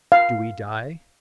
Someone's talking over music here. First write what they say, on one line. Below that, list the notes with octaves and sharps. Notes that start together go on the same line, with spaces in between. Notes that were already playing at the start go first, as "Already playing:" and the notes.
Do we die?
F5